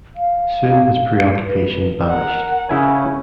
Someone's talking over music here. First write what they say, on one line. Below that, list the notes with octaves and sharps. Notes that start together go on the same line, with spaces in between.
Soon his preoccupation vanished.
F5
B4
A#4 F#5
C#3 C#4 E4 G#5